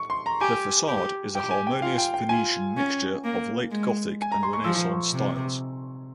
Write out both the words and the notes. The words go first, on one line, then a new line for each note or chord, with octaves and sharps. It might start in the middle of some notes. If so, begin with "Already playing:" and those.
The facade is a harmonious Venetian mixture of late-Gothic and Renaissance styles.
Already playing: C#6
C6
A#5
G4 G#5
G4
G4 G5
G#5
G5
F4 F5
G5
G5
F4 G#5
C#4
A#3
G#3
G#5
A#5
C6
C#6
F3 E6
C3